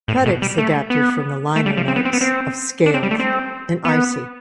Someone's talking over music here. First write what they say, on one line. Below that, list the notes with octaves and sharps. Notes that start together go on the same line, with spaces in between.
Credits adapted from the liner notes of "Scaled and Icy".
A2
B2
G3
A3
B3
A3
G3
F3
C4
B3
C4
B3
C4
D4
C4
G3
A3
C4
B3